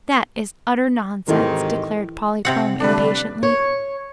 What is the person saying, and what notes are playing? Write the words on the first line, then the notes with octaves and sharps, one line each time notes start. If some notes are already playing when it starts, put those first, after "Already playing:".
"That is utter nonsense," declared Polychrome, impatiently.
G#2 C3 D#3 E3 A4 D#5
C3 C4 F#5
D3 G3 A3 D4 B4 D5
C#5